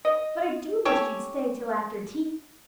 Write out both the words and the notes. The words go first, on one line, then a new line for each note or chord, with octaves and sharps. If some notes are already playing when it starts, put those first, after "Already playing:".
But I do wish you'd stay till after tea.
D#5
C#4 G4 A4 C#5